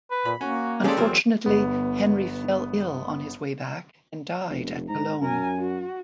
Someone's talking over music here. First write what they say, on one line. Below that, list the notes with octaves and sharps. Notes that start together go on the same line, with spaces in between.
Unfortunately, Henry fell ill on his way back and died at Cologne.
B4
A#2 B5
A#3 C#4 F#4
G#3 C4 C#4 G4 A4 D5
E2 F#3 A#4
G1 B3
F1
G#2 A#5
F#2 A#4 G#5
F#4